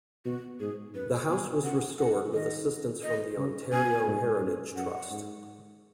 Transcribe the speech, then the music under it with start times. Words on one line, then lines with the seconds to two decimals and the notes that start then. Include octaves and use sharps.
The house was restored with assistance from the Ontario Heritage Trust.
0.25 B2 F#4
0.60 G#2 G#4
0.94 F#2 B4
1.29 B2 G#5
1.64 C#3 F#5
1.99 F#5
2.34 D#3 D#5
3.03 D#5
3.37 C#3
3.72 B2 G#5
4.07 G#2
4.41 F#2
4.76 F#2 F#5
5.11 G#2